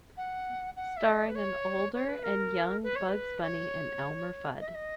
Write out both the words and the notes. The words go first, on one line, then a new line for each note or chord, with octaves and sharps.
Starring an older and young Bugs Bunny and Elmer Fudd.
F#5
F#5
E5
D#5
B4
C#5
C#5
B4
A#4
B4
C#5
B4
C#5
D#5
E5
D#5